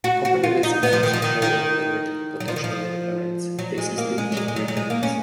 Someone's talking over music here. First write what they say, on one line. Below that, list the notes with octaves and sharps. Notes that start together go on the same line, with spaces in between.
A company that spends more than it potentially earns faces diminishing returns.
F#4
F#4
F4
D#4
B3
F3
D#3
F3
D#3
D#3
F#3
F3
D#3
F3
F#3
G#3
A#3
G#3
F#3
G#3
G#3
F#3
F#3
G#3
A#3
C#4